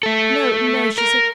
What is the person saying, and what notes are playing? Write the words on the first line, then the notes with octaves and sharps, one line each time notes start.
"No, no," she said.
A3 A4
A#4